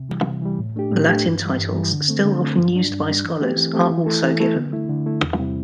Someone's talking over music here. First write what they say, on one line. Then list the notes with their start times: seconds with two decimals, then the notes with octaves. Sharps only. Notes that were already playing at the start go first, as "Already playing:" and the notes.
Latin titles, still often used by scholars, are also given.
Already playing: C3
0.09 E3 G3
0.26 C3
0.42 E3 G3
0.59 A2
0.76 A3 D4 G4
0.92 A2
1.09 A3 D4 G4
1.25 G2
1.41 E3 G3
1.59 G2
1.75 E3 G3
1.92 D3
2.08 A3 C4
2.25 D3
2.41 A3 C4
2.58 G2
2.74 G3 D4
2.91 G2
3.07 G3 D4
3.24 E3
3.40 A3 C4 G4
3.56 E3
3.74 A3 C4 G4
3.90 E3
4.06 A3 E4 A4
4.23 E3
4.40 A3 E4 A4
4.56 D3
4.73 A3 E4
4.90 D3
5.06 A3 E4
5.23 E2
5.39 C3 G3 C4 E4